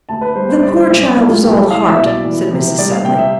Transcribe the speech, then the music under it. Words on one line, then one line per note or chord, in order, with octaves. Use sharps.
"The poor child is all heart," said Mrs. Sedley.
D2 A5
B4
G3 C5
C5
G3 D5
C5
B1 D5
D5
B1 E4
F4
B1 G4
A4
C2 F5
E5
B2
D5
E3
C3
G3 D5
F5
C3 G5
E5